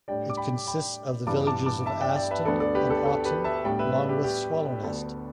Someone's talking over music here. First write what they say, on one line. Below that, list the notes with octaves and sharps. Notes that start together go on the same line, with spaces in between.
It consists of the villages of Aston and Aughton, along with Swallownest.
A2 G3 D4 D5 G5
D6
G5 B5
G5 B5
G2 E3 B3 D4 A5 D6
A5 D6
A5 D6
E5 A5
D5 G5
D5 G5
B4 E5
D2 D3 B3 A4 D5
A4 D5
G4 B4
A4
A4
G4 B4
E5 A5
A2 G3 B3 D4 D5 G5
B4 E5
G4 B4
G4
D2 D3 B3 D4 A4